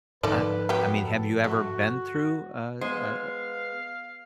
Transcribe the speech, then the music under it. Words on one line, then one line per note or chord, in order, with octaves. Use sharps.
I I mean, have you ever been through a a
G#2 D3 F3 D#4 A4 B4 D5
F#3 B3 G4
A4
A3 F#4
G#3 B3 C5 F5